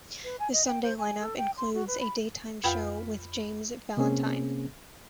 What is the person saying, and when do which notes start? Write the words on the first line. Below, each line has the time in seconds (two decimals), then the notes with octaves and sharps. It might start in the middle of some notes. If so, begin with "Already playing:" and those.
The Sunday line-up includes a daytime show with James Valentine.
0.24 B4
0.40 G#5
0.53 D#5
0.66 G5
0.83 C5
0.99 G#5
1.20 A4
1.38 G5
1.57 C6
1.74 F#4
1.87 B4
2.00 B5
2.64 F2 F4 B4 F5 G5 B5
3.97 C3 A#3 C4 C#4 G#4